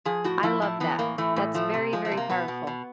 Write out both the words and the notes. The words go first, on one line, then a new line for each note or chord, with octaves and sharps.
I love that. That's very, very powerful.
F3 G#4
A2 F#4
F3 E4
A2 E4
E3 B3
A2 A#3
E3 A3
A2
F3 A3
C3
F3 G#3
A3
C3
A#3
B2 B3
B2
B2